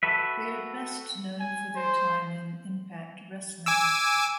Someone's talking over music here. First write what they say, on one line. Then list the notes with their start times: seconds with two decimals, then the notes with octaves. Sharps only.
They are best known for their time in Impact Wrestling.
0.03 F#4 A4 B4 E5
1.40 G#5
1.76 C5
3.66 G#5 D6 E6